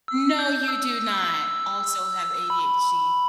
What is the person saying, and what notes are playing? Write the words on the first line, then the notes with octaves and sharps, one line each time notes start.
No, you do not also have ADHD.
E6
G6
E6
B5